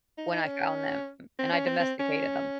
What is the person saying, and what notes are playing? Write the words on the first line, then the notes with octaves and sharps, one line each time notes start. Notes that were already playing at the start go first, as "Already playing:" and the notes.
when I found them and I domesticated them.
D#4
D#4
C#4
C4
C#4
C4
C4
C#4